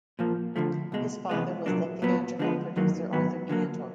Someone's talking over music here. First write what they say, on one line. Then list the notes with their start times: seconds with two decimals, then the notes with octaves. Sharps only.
His father was the theatrical producer Arthur Cantor.
0.19 A#2 F3 A#3
0.56 D2 D3 F3 A3
0.92 C2 B2 G#3
1.29 C3 E3 G#3 B3
1.66 C2 A#2 F#3 A#3 D4
2.02 A#2 F#3 B3
2.39 D3 F3 G#3 B3
2.76 F#2 D#3 F#3 A#3
3.13 G#2 D#3 F#3 B3
3.49 D3 F#3 A#3